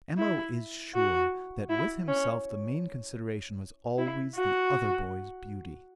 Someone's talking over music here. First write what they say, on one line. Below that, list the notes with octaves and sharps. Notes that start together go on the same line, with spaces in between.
M.O. is sure that with himself the main consideration was always the other boy's beauty.
E4
F#4
E4
C#4
E4
F#4